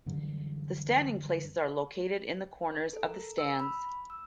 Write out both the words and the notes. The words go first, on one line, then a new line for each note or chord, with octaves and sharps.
The standing places are located in the corners of the stands.
F#2 D3 E3 G3
A4
A#4
E6
B5
E6